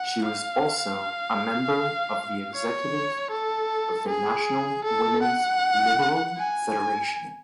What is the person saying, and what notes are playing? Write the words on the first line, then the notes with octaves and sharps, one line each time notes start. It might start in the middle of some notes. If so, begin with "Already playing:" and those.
She was also a member of the Executive of the national Women's Liberal Federation.
Already playing: F#5
F5
C#5
A4
G#4
A4
F#5
G#5